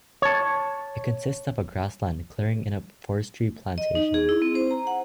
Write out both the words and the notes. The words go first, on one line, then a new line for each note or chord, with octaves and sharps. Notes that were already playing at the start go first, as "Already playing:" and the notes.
It consists of a grassland clearing in a forestry plantation.
C#5 A5
D#5
D#4
G#4
E4
C4
C5
A#5
F#5